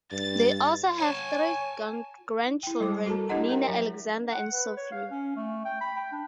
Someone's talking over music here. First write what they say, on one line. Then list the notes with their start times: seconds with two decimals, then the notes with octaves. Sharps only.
They also have three grandchildren Nina, Alexander, and Sofia.
0.12 G2 A6
1.00 C#5 G#5 A5
2.63 E4 G5
2.80 G3 G#3 E4 C5 D6
3.06 F#4 A4 A#4 A5 A#5
3.29 D4 E4 G4 D#5 F#5 A#5
3.49 A#4 G5 A#5
3.68 F#3 C#5 E5
4.31 F#5
4.52 B4
4.77 C#5
4.91 F5
5.11 C#4
5.36 A3
5.65 G5
5.81 B5
5.97 G5
6.12 D4